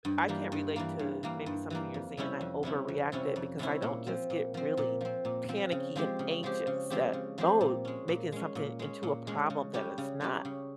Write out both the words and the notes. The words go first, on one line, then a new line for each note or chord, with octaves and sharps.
I can't relate to maybe something you're saying I overreacted because I don't just get really panicky and anxious that, "Oh, making something into a problem that it's not."
G2
E3 G3 A#3
G2
E3 G3 A#3
G2
E3 G3 A#3
G2
E3 G3 A#3
F2
C3 G3 C#4 E4
F2
C3 G3 C#4 E4
F2
C3 G3 C#4 E4
F2
C3 G3 C#4 E4
A#2
F3 C4
A#2
F3 C4
A#2
F3 C4
A#2
F3 C4
C#3
F3 G#3 C4 G4
C#3
F3 G#3 C4 G4
C#3
F3 G#3 C4 G4
C#3
F3 G#3 C4 G4
A#2
G#3 C#4
A#2
G#3 C#4
A#2
G#3 C#4
A#2
G#3 C#4
C#3
G3 C#4 G4
C#3
G3 C#4 G4
C#3